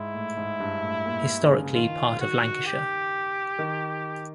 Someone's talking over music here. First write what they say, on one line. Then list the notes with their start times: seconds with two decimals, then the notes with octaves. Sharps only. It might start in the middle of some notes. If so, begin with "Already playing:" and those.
Historically part of Lancashire.
Already playing: G#2 E4
0.15 A2
0.37 G#2
0.60 G2
0.83 A2
1.06 A#2
1.52 C#3
1.75 D#3 F4
2.20 F#4
2.66 G4
3.59 D#3